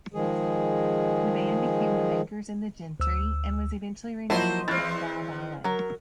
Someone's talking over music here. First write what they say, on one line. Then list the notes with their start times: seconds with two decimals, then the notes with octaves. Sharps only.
The band became the Makers and the Gentry, and was eventually renamed Spandau Ballet.
0.14 D#3 F3 G#3 G#4
3.00 D2 E6
4.30 F3 F#3 A#3 E4 C5 D#5 A5
4.68 E2 C4 E4 F6 F#6 A6
5.64 F#3 A#4